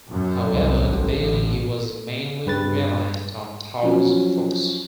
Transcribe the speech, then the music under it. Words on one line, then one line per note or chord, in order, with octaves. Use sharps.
However, at the beginning he was mainly reliant on Klaus Fuchs.
F#2
C2
A1
A1
G2 B4 A6
F3 F#3 C#4 F#4